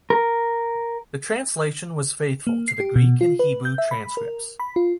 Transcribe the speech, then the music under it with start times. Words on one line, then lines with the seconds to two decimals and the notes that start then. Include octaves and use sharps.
The translation was faithful to the Greek and Hebrew transcripts.
0.10 A#4
2.47 A#3
2.68 C7
2.80 G4
2.96 B2
3.21 F4
3.39 B4
3.65 G6
3.78 E5
3.91 B5
4.17 A#4
4.60 B5
4.76 F4